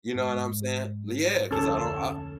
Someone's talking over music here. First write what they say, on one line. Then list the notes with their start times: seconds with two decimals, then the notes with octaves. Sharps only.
You know what I'm saying? L yeah, 'cause I don't I
0.15 G#2
1.51 F1 D2 C#4 A4